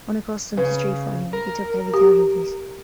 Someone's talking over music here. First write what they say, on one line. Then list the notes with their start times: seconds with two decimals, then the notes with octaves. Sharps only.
Unaccustomed to street fighting, they took heavy casualties.
0.57 C#3 B4
1.33 A#4
1.94 G4